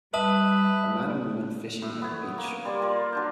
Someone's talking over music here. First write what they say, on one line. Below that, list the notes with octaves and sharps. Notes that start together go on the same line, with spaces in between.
A man and woman fishing at the beach.
G3 B4 E5 A5 D#6 F#7
A2
B3 C#5
A#3
G3 D5 C6
F4 A#4
F#3 D4 C5